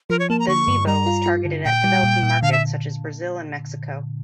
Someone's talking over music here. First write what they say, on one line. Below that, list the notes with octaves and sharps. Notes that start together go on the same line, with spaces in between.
The Zeebo was targeted at developing markets such as Brazil and Mexico.
F3 A#4
C#5
A#3 A5
A#5
D3 C#6
G2
G3 A#5
F4
F4
D3
A#2 G5
G3
A#2
A#2
D3 F5
E5